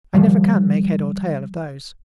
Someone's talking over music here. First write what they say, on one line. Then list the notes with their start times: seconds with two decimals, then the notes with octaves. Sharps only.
I never can make head or tail of those.
0.14 D#3 F3 G3